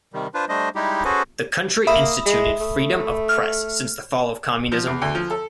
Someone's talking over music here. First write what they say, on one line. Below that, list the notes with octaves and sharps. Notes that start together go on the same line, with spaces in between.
The country instituted freedom of press since the fall of communism.
C3 D#3 G3
D4 F4 B4 C5
G3 A3 D4 C5 D#5
G3 G#3 D#4 E4 G4
C#4 F#4 G#4 A4 B4 C5
A#3 E5 B5 D#6
G#3
A3
F6
F3
E2
D2
F3
A4